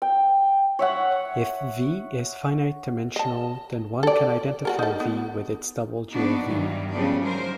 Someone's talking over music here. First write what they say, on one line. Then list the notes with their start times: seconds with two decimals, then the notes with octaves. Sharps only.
If "V" is finite-dimensional then one can identify "V" with its double dual "V".
0.02 G5
0.79 C#5 E5 F#5
3.16 D#5 A5
4.03 A4 D5
4.65 F#4 A4 A#4
4.79 D#4 A4
5.00 B3
6.12 F3 A#3 B3 D4 D#4 F#4
6.48 G2 D#3 E3 F#3 G3
6.91 C#3 F3 G3 B3 D4
7.24 F#3 G#3 A#4 C5